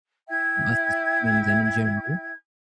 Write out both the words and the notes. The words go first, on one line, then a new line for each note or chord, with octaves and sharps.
um, us as humans and in general,
E4 E5 G5 G#6